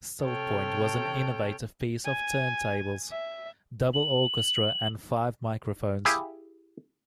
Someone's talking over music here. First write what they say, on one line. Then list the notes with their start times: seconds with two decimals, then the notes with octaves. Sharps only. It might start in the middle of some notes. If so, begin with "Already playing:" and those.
"Still Point" was an innovative piece for turntables, "double orchestra" and five microphones.
0.22 C3 A4 C#5 G5 F6
2.05 G#5
3.11 E5
3.94 F#7
6.05 E4 G4 G#4 F5